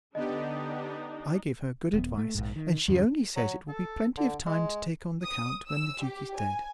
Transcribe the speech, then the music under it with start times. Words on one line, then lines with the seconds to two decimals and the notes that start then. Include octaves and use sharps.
I give her good advice, and she only says it will be plenty of time to take on the count when the duke is dead.
0.15 D3 B3 D4 D#4 G4 D#5
1.94 D#1 B3
2.17 A3
2.35 A#1 G#2
2.56 D#3
2.88 E2 G2 C#3
3.36 F#3
3.68 A4
4.17 D3
4.46 G#3
5.24 D#6
5.68 E6
6.03 G4
6.38 G#5